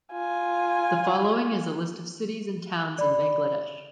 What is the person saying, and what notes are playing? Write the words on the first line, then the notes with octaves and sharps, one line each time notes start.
The following is a list of cities and towns in Bangladesh.
F4 G#5
D5 B5